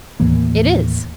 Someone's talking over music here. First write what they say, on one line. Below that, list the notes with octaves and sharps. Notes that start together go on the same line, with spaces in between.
"It is."
D#2 A2 E3 A#3